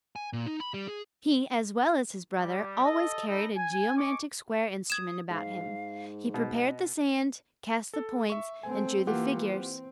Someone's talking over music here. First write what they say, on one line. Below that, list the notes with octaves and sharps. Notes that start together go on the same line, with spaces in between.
He, as well as his brother, always carried a geomantic square instrument about him; he prepared the sand, cast the points, and drew the figures.
G#5
A#2
D#4
B5
G3
G#4
G3
G4 A4 D#5
C#4 D#4 A4 D#5 B5
G#5
D#5 G#5 C#6 D6
D#6 G#6 E7
G#2 F5
B2 D#5
A4
E5 C#6
A3 C4 G#5
E3 A#3 F4 G4 F#5
C4